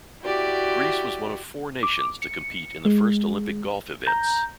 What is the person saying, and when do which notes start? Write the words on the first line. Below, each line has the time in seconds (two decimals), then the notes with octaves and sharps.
Greece was one of four nations to compete in the first Olympic golf events.
0.24 E4 F#4 G4 D5
1.83 D6
2.22 C#7
2.85 G#3
4.06 A#5 G6